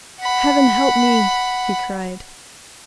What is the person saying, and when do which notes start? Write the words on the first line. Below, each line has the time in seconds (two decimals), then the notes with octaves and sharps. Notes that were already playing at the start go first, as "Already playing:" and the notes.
"Heaven help me!" he cried.
0.21 F#5 B5